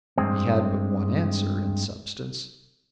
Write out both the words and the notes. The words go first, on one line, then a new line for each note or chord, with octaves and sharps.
He had but one answer, in substance.
G2 G#3 C4